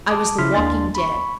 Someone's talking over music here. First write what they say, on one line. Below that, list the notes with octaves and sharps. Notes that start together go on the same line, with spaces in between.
I was the walking dead.
A5 D6 D#6
C#3 E4 C6 F6 B6
D#2 A#3 D4 C6 A6
B5 C#6